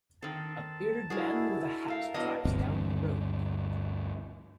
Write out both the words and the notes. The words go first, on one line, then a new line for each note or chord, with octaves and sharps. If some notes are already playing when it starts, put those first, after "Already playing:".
A bearded man with a hat drives down the road.
D#3 C4 A4 A5
G#3 D4 E4 F#4 G#4 A#4
A3 A#4 F5
F#3 A#3 B3 D4 E4 D#5 A5
G1 D2 G2 C4